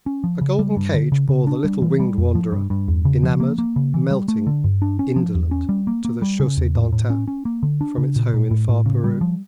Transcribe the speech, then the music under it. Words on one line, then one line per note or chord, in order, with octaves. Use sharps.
A golden cage bore the little winged wanderer, enamored, melting, indolent, to the Chaussee D'Antin, from its home in far Peru.
C#4
F3
C#3
G3
G2
D3
C#3
C#3
D4
G3
E3
G3
F2
F3
G2
G2
E2
C#3
F3
A#3
A#3
C#3
E3
G3
A3
D3
G2
D4
C#4
F3
E2
C#4
G3
A#3
A#3
G3
C#3
E2
A2
A2
C#4
C#4
A#3
D3
D4
C#3
A#2
A#2
A2
A2
C#3
G3
F3